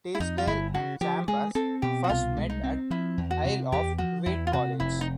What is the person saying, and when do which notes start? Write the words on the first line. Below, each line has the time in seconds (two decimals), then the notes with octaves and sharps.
Teasdale and Chambers first met at Isle of Wight College.
0.15 E4
0.20 F2 D#4
0.38 F4
0.47 G1 E4
0.74 C#3 F#4
1.01 F3 G4
1.28 G#3 G#4
1.55 C4 A4
1.82 B2 G4
2.04 F#4
2.09 C2 F4
2.37 G#3
2.50 D#4
2.64 C4
2.90 F3 E4
3.18 E2
3.31 F#4
3.45 C3
3.72 E2 G4
3.98 F3 F#4
4.26 E2 E4
4.47 F4
4.53 C3 F#4
4.80 F1 E4
5.01 D#4